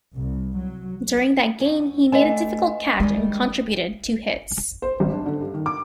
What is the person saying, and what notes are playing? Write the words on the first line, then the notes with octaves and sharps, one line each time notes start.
During that game he made a difficult catch and contributed two hits.
C2
F#3
E2 C#4
A3 B3 D4 D#5 G#5
D#3 G3 G#3
C5
G#1
D4
D3
G2
D#3
D6